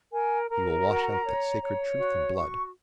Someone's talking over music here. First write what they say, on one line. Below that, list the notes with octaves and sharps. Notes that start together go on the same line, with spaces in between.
He will wash out that sacred truth in blood.
A#4 G#5
A#4 A#5
F#4
C#5
C#5
F#4
F#4 C#6